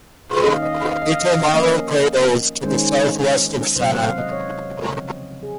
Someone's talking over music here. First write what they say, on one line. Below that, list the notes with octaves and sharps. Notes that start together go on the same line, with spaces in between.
Hitomaro crater is to the southwest of Sanai.
D#3 A#3 C#4 D#5
F5
D#5
F5
D#5
F5
D#5
F5
D#5
F5
D#5
F3 A#3 C#4 D#5
D#3 G#3 C#4 C5
C3 F#3 C4 C5
F#5
F5
D#5
C#5
C#3 F3 C4
G#4